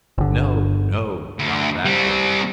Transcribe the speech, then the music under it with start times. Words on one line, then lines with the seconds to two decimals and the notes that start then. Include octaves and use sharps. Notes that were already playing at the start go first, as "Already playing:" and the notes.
No, no! Not that way.
0.18 G1 D3
1.39 D2
1.85 G3 C4